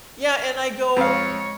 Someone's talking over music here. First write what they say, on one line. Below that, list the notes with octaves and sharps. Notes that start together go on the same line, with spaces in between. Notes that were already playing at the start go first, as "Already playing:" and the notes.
Yeah, and I go
F2 G#3 C#5 F5